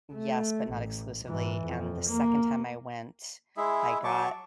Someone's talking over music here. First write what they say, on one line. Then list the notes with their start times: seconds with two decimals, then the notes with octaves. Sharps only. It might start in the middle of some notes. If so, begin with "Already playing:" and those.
yes, but not exclusively, and the second time I went, I got
0.13 A3
0.70 A1
1.24 G#2 E3
1.64 F2
2.07 A#3
3.57 G#3 E4 G#4 E5
4.04 F#3 A5 C#6 D6